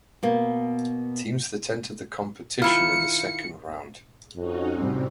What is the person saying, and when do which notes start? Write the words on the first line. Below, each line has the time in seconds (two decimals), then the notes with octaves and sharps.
Teams that entered the competition in the second round.
0.23 B2 A#3
2.62 D#3 E4 F4 C#7
4.36 F2 C#4 D#4 F#4
4.78 A2 C3 G3 C4